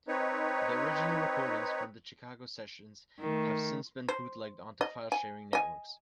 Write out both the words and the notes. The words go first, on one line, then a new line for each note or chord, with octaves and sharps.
The original recordings from the Chicago sessions have since been bootlegged onto filesharing networks.
C4 D#4 B4 C#5
D#3 A3
C5
D#5
G#5
D#5 G#5